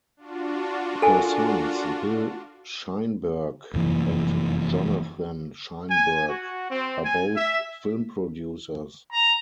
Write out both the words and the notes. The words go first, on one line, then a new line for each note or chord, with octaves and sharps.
Her sons, Bill Sheinberg and Jonathan Sheinberg, are both film producers.
D4 F4 F#4
A4 A#4 G#5
F1 F#2 E3 A#3
G#5
F#4
C4
G#5
E5
A#5